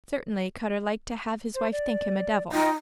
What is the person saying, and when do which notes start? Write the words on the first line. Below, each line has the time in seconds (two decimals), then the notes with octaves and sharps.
Certainly Cutter liked to have his wife think him a devil.
1.55 C5
1.72 D5
2.52 D#4 F4 D#5 G5